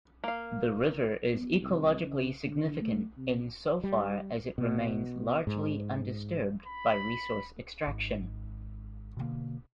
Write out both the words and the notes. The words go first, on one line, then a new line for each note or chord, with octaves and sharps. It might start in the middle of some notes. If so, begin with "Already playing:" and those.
The river is ecologically significant insofar as it remains largely undisturbed by resource extraction.
A#3 F5
B3
C2
C#3
D3
A3
C3
G3
B2
G#2
B5
G#1 G#2
B2 D3 A#3